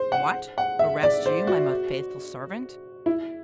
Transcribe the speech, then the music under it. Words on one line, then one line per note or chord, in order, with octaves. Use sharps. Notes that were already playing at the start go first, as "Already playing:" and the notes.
"What! arrest you, my most faithful servant?"
Already playing: C5
F#5
F#5
E5
D5
C5
F#4
E4